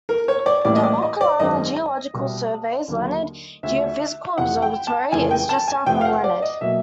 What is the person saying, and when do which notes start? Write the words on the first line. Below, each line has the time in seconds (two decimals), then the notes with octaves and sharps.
The Oklahoma Geological Survey's Leonard Geophysical Observatory is just south of Leonard.
0.09 A#4
0.28 C#5
0.46 D5
0.65 A1 A2 E3 G3 A#3 D5
0.76 D#5
0.83 D5
1.02 D#5
1.21 D5
1.39 G#1 F#2 D#3 G#3 C4 D#5
2.14 C2 B2 G3
2.88 D#2 D3 F#3 A#3
3.63 D2 C#3 F3 E5
4.38 F2 C3 E3 F#5
4.62 G5
4.87 A5
5.12 F1 F2 C#3 E3 G#5
5.31 G5
5.49 A5
5.68 G#5
5.86 F1 F2 C3 F3 A3 G5
6.01 F5
6.05 F#5
6.24 D5
6.42 D#5
6.61 B2 F#3 A#3 E5